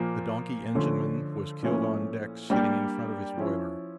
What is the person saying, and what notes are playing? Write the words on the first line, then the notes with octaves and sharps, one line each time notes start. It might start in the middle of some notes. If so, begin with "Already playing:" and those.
The donkey engineman was killed on deck sitting in front of his boiler.
Already playing: A#2 F3 A#3
D3 F3 A3 C#4
A#2 F3 A3 C#4 E4
G3 A#3 D4 G4
F3 C#4 E4